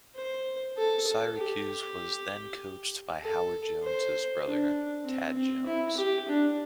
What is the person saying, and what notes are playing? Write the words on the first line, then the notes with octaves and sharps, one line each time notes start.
Syracuse was then coached by Howard Jones's brother, Tad Jones.
C5
A4
A4
G4
A4
C5
D4
C4
C4
E4
G4
D4